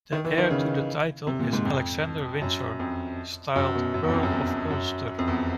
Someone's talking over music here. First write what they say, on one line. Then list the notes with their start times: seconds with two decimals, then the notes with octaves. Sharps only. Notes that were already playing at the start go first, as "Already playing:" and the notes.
The heir to the title is Alexander Windsor, styled Earl of Ulster.
0.12 D#3
0.25 E3
0.38 D#3
0.51 C#3
1.27 C3
1.39 A#2
1.53 G#2
1.65 F2
2.42 F#2
2.79 F2
3.56 F#2
3.75 B2
3.94 F#2
4.03 E2
4.09 F#2
4.13 F2
4.23 F#2
4.32 E2
4.70 F#2
5.19 F2
5.28 E2